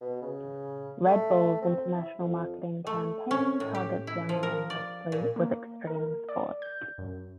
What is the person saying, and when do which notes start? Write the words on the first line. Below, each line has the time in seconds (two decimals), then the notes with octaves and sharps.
Red Bull's international marketing campaign targets young men mostly with extreme sports.
0.01 B2
0.21 C#3
1.06 A3
1.62 C4
1.94 E4
2.19 F2
2.87 A3
3.31 C#4
3.60 A2
3.75 G4
4.07 E4
4.29 F3
4.43 A#4
4.70 D5
5.12 A#2
5.36 A#3
5.87 A#4
6.29 D5
6.62 G6
6.98 F#2